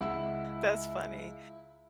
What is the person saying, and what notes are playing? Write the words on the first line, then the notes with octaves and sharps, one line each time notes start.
that's funny,
C#2 E4 F#5 E6